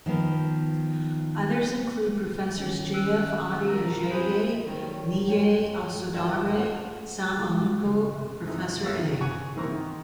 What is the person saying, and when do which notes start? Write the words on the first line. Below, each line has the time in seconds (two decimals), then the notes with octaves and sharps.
Others include Professors J. F. Ade Ajayi, Niyi Osundare, Sam Aluko, Professor A.
0.06 D#3 F3 B3
2.58 D#3 A3 C#4
2.94 E6 F#6
3.67 A#4
4.11 C4 G#4 B4 B5 G6 B6
4.66 D#3 F#3 G3
5.28 F4 G4 A4 C#5 G5
6.13 G2 D#3 A4 E5
6.56 A3 F4 A4 C5 F5 F#5
7.28 A5
7.42 G#3
7.84 C#3
8.13 C3
8.47 C3 E3 D#4
8.82 A3 B3 C#5 E5 F5 E6
8.97 D#3
9.21 F#5 G#5 C#6
9.56 D#3 E3 A#3 C4 A#5 C#6
9.71 D#3